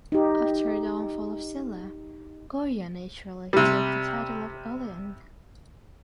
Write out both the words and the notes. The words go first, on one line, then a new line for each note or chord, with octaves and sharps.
After a downfall of Silla, Goryeo naturally took the title of Ulleung.
D#4 G4
C3 G3